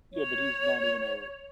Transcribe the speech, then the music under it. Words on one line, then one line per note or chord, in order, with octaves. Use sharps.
Yeah, but he's not even a
C#5